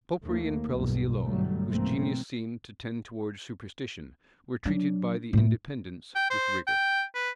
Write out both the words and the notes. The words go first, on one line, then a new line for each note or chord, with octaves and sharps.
Popery and prelacy alone, whose genius seemed to tend towards superstition, were treated by the Independents with rigor.
D#2 A3 A#3
B1 E2 G2 B2
G1 F#3 G3 A3
B1 G2 E3 A3 A#3 C4
F#3 D4
A2 A3
G5
C5
G5
B4